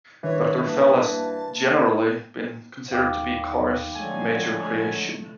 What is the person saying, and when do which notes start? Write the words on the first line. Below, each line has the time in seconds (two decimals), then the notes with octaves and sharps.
Doctor Fell has generally been considered to be Carr's major creation.
0.24 G2 D#3 E3 C#5
0.68 A#3 A5
2.92 D#2 F5 G5 D6
3.95 D3 F3 F#3 G#3 A3 G#5